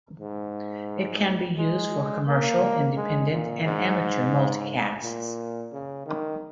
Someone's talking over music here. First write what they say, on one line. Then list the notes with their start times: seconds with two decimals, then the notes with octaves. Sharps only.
It can be used for commercial, independent, and amateur multicasts.
0.20 G#2
1.57 G#3
2.27 A#3
2.96 G#3
3.31 A#2
3.65 G#2
5.03 A#2
5.72 C#3
6.06 D#3